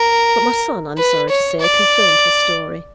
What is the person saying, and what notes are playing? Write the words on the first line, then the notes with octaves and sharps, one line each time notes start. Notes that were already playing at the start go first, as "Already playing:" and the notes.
But my son, I am sorry to say, confirmed her story.
Already playing: A#4
B4
C#5
D5